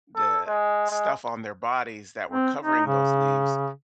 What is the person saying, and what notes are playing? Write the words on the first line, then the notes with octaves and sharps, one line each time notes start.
the stuff on their bodies that were covering those leaves,
A4
G#3
G#3
C4
D#4
C#3